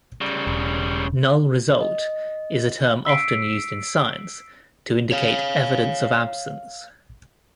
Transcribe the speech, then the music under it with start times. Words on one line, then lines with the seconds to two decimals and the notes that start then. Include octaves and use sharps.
"Null result" is a term often used in science to indicate "evidence of absence".
0.21 C#3 G3
0.47 E1
1.80 D#5
3.05 E6 B6 C7 D7
5.12 C#5 F5